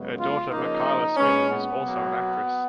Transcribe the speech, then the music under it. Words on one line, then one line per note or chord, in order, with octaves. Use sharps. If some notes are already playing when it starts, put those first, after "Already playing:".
Her daughter Makyla Smith is also an actress.
Already playing: F#2 C#3 G#3 B3
F4
C#3 F3 A#3 D#4
A#2 G#3 B3 C#4
B3
B2 F#3 A#3